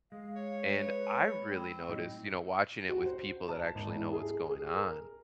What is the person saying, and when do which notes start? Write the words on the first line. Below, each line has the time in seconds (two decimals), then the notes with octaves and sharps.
And I really noticed, you know, watching it with people that actually know what's going on,
0.12 G#3 F5
0.36 C#5
0.74 B4
1.30 B5
1.50 C4
1.88 A2 F#3 D#4 D#5
2.89 F#4
3.05 C5
3.49 A5
3.75 G#1
3.96 E4
4.13 G#4
4.49 G#4
4.75 A#4